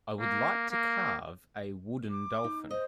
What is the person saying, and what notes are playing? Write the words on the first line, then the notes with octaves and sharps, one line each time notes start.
I would like to carve a wooden dolphin.
A#3
A#3
D6
D#4
C5 D#5